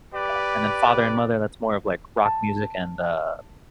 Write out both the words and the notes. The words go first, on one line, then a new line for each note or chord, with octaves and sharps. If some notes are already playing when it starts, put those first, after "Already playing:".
Yeah, and then father and mother, that's more of, like, rock music, and, uh,
G4 B4 D5
A5